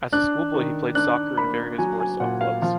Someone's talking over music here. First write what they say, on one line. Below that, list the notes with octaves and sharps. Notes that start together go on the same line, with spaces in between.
As a schoolboy he played soccer in various Warsaw clubs.
D4 F#6
D#3
D4 F#6
A#3 B5
F#3 G#5
G#5
A#2 F#5
F5
F3 F5